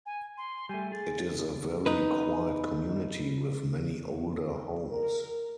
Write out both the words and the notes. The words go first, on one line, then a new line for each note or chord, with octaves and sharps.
It is a very quiet community with many older homes.
G#5
C6
G3 A3 G#5
G#4 A6
D#4 B4
A#4